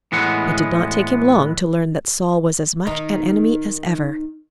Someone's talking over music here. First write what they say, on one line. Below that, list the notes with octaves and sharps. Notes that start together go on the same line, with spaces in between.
It did not take him long to learn that Saul was as much an enemy as ever.
A2 E3 G#3 B3 F#5
D#3 D#4